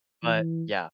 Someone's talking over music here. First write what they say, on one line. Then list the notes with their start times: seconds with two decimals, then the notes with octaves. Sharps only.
but yeah.
0.23 E3